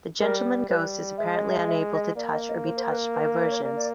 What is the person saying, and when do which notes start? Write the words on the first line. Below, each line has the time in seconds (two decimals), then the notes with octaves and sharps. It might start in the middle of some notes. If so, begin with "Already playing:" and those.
The Gentleman Ghost is apparently unable to touch or be touched by virgins.
0.20 G3 A#4
0.69 G3 B4
1.18 G#3 E5
1.35 D#5
1.50 E5
1.67 E5
1.91 D#5
2.16 A#3 D5
2.32 D#5
2.49 D#5
2.65 C5
2.77 C5
2.89 B4
3.15 B4
3.26 A#4
3.39 C5
3.45 D5
3.50 C#5
3.63 A#3 D5
3.76 D5